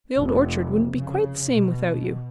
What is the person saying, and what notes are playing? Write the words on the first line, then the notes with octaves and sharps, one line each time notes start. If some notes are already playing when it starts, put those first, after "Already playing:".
The Old Orchard wouldn't be quite the same without you.
F1
C#3
B2